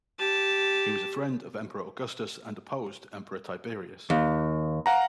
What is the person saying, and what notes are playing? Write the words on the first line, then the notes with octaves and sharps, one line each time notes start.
He was a friend of Emperor Augustus and opposed Emperor Tiberius.
G4 A5
D#2
F5 F#5 A#5